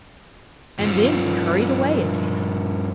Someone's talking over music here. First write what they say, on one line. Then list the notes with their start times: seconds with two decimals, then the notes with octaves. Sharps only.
And then he hurried away again.
0.79 G2 F3